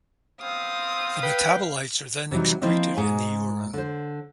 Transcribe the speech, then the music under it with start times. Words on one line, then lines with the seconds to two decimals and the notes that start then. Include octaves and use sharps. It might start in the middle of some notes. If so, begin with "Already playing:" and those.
The metabolites are then excreted in the urine.
0.41 B3 C4 F5 D#6
1.23 B4 G5
2.31 C3 E3 F#3 G3 D#4
2.62 F3 A#3 C4 E4 C5 D#5
2.97 G#2 G#3 G#5
3.74 D3 C5